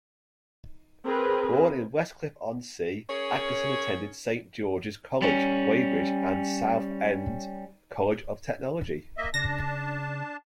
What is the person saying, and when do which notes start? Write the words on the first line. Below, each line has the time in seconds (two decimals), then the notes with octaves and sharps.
Born in Westcliff-on-Sea, Atkinson attended Saint George's College, Weybridge and Southend College of Technology.
1.06 C4 G#4 A#4 B4
3.10 C#4 G#4 A#4 C#5
5.22 G3 C#4
9.16 A#3 D#5 E5
9.34 C#3 D4 A5 A#6